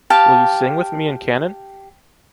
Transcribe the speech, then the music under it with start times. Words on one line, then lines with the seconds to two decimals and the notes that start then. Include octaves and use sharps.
Will you sing with me in canon?
0.10 G4 F5 A5